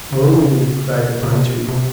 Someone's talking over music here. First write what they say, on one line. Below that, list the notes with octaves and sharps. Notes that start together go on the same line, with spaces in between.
"Oh!" cried the pine tree.
C#3
D3
C#3
C#3
C3
C3